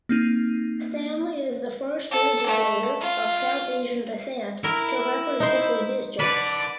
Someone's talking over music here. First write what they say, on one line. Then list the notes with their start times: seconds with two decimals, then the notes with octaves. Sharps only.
Stanley is the first legislator of South Asian descent to represent his district.
0.09 A#3 C4 D#4
2.11 A4
2.47 A3
3.01 F4
4.64 E4 A#4
5.40 D#4 C5
6.19 B4 D5 F#5 A5